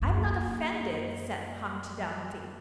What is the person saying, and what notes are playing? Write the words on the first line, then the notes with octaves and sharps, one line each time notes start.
'I'm not offended,' said Humpty Dumpty.
F#2 A#3